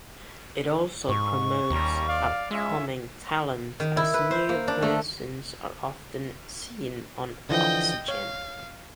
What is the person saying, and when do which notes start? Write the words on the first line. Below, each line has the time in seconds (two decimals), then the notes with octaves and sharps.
It also promotes upcoming talent as new persons are often seen on Oxygene.
1.09 G#2 C#6
1.70 D#2 G3 C#4 A#5
2.07 D5 F5
2.51 G#3 C#4 F4 E5
3.80 D#3
3.97 E4
4.14 B4
4.31 C5
4.49 A#3
4.68 D4
4.82 A3
7.49 D3 E3 F3 D#5 G5
8.08 C#5 F5